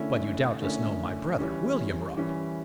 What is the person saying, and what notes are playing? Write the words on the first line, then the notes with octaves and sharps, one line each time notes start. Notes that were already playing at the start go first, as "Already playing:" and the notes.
But you doubtless know my brother, William Rugg.
Already playing: D3 A3 C#4 E4
D3 A3 C#4 E4
E3 G3 C#4
E3 G3 C#4